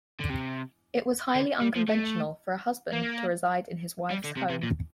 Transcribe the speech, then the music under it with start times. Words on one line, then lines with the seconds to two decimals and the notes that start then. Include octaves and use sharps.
It was highly unconventional for a husband to reside in his wife's home.
0.21 D3
0.30 C3
1.35 D3
1.61 G3
1.75 F3
1.88 A3
2.93 A#3
4.11 G3
4.24 D3
4.37 C3
4.50 C3
4.63 A#2